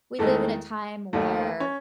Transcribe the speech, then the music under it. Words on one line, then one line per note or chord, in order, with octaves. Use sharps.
we live in a time where,
E2 D#3 G#3 A3 A4
D#2 D#3 A3
C#4 C#5